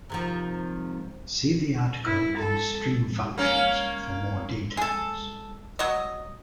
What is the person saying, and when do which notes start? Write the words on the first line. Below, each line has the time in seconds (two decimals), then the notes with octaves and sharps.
See the article on string functions for more details.
0.10 C3 D#3 F3
2.05 E4
2.38 A4
3.38 A#3 C#4
4.77 G#4 A4
5.79 F#3 D#5